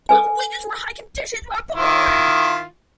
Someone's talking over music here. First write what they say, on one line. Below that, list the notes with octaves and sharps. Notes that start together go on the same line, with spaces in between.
While wages were high conditions were poor.
A4 B4 G#5
D#3 E4 F4